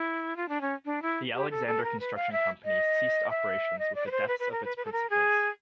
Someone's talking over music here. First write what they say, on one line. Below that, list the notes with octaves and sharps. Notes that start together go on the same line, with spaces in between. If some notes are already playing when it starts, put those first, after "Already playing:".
The Alexander Construction Company ceased operations with the deaths of its principals.
Already playing: E4
F4
D4
C#4
D4
E4
G4
A4
A4
A#4
B4
F5
E5
D#5
E5
D#5
D5
B4
C5
B4
B4
A#4
B4
B4
A4
A#4
G#4